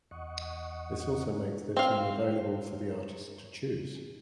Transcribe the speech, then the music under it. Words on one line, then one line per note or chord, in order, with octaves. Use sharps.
This also makes their team available for the artist to choose.
E2 D#5 F#5 C#6
C4 F5